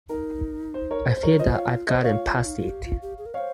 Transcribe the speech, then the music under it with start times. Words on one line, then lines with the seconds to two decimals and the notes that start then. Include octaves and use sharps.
I feel that I've gotten past it.
0.09 D#4 A#4
0.74 C5
0.91 A#4 C#5
1.07 C5
1.17 C5
1.23 A#4 C#5
1.39 F4 C5 D#5
1.55 C#5 F5
1.88 C5 D#5
2.04 F4 C#5 F5
2.46 D#4
2.58 F4
2.69 G4
2.85 F4
3.02 G4
3.18 G#4
3.26 A#4
3.34 C5 C#5 D#5 F5